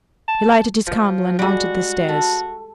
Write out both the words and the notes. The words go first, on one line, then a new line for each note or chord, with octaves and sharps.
He lighted his candle and mounted the stairs.
A5
F3
G3 G#3 F#4
A4